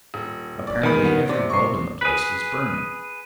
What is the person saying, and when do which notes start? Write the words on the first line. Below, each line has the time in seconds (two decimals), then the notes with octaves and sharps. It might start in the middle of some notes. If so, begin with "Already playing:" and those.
Apparently every bulb in the place was burning.
0.14 D#1
0.67 D5
0.83 E2 A#2 D#3 B5
1.05 B3
1.29 C3 D5
1.50 C#6 C7
2.01 G#4 B4